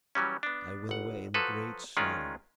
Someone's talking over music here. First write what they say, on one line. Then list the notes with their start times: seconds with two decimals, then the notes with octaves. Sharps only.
I went away in great sorrow.
0.15 E3 F#3 G3 C#4
0.43 B3 D4
0.89 G1 F#5
1.34 F3 F#3 F#4 A4 B4
1.97 D#3 G#3 C#4 F4 D5